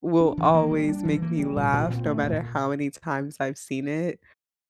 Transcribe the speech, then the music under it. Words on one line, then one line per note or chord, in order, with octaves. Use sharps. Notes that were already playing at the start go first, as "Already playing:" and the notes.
will always make me laugh no matter how many times I've seen it,
D4
E3
A#3
G3
D4
E3
A#3
G3
A#2
A#2
C4
A3
A#2